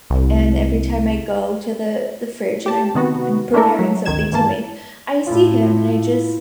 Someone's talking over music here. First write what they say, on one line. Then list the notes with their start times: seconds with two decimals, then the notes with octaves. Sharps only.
and every time I go to the the fridge and I'm I'm preparing something to make, I see him and I just,
0.10 C2
2.66 G4 A5
2.94 C3 D#3 B3 F#4
3.54 A3 A#3 D4 E4 A4 A#4
3.79 F#3
4.05 G#1 D2 D#3 G#6 E7
4.32 G2 E3 A#3 A5
5.27 A2 E4 F4